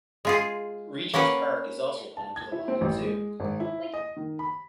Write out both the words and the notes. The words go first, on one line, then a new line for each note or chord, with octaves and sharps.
Regent's Park is also home to the London Zoo.
G#3 F4 G#4
A#3 C#4 A#4 B4 F#5
A5
G#6
E4
C4
A1
G#3
G#1
E4
D#5
D#3
B5